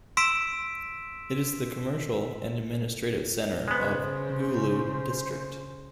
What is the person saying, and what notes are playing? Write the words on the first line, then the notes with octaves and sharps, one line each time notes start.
It is the commercial and administrative centre of Gulu District.
C6 E6 B6 D7 E7
C#3 G#3 B3 C5